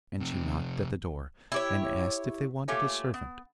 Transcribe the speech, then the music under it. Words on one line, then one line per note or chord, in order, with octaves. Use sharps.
And she knocked at the door, and asked if they wanted a servant.
F2 C3
E4 G4 C#5
A3 A#3 F4 G4 C#5 G#5
B3